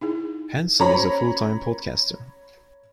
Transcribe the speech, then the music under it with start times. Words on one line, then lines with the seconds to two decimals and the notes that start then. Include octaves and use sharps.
Henson is a full-time podcaster.
0.01 D#4 E4 G#4
0.80 C#4 F#4 C5 C#5 A#5 B5